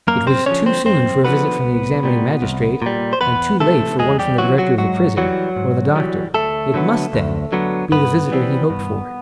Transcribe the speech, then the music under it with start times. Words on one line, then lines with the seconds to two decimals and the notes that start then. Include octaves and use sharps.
It was too soon for a visit from the examining magistrate, and too late for one from the director of the prison, or the doctor; it must, then, be the visitor he hoped for.
0.07 F#2 A#3 A#4
0.27 C4 C5
0.46 D3 F3 C#4 C#5
0.66 C4 C5
0.85 F#2 C4 C5
1.24 D3 F3 B3 B4
1.64 C2
2.03 A#2 G3
2.42 C2
2.82 A#2 G3
3.13 C5
3.21 E2 B3 B4
3.60 C3 E3 A3 A4
3.99 E2 G#3 G#4
4.19 G3 G4
4.38 C3 E3 F#3 F#4
4.58 F#3 F#4
4.78 G#2 F#3 F#4
5.17 E3 F#3 G3 F#4
5.56 G#2
5.95 E3 G3
6.34 D2 A3 A4
6.74 D3 F#3 B3
7.13 D2
7.52 D3 F#3 B3
7.92 G2 B3 B4
8.31 E3 G3 C4
8.70 G2